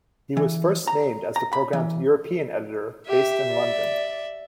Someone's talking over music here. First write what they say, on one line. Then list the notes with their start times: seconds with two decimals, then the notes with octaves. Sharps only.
He was first named as the program's European editor based in London.
0.37 E3
0.87 A#5
1.36 A#5
1.53 B5
1.73 E3
3.08 G4 E5
3.50 D5